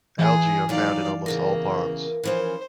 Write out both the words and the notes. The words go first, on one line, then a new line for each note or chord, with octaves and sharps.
Algae are found in almost all ponds.
E3 G#4
D#3 F#3 D5 F5
E2 A2 C#3 A#3 A#4
E3 F3 C#4 C5